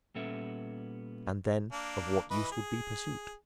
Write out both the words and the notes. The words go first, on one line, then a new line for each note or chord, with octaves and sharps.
And then of what use would be pursuit?
A#2 G3 B3 C#4 A4 E5
A#3 D4
E3 B4 D#5
G#4